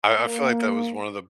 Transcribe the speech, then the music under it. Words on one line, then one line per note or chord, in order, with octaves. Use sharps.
I I feel like that was one of the
A#3